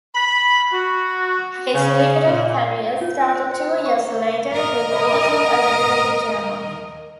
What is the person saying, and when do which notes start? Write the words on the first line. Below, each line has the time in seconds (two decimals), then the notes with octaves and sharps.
His literary career started two years later with editing a literary journal.
0.15 B5
0.73 F#4
1.75 C#3
2.25 A#2
3.01 F4
3.21 C5
3.36 C5
3.51 C5
3.86 C#6
3.99 A#4
4.52 A#4 D#5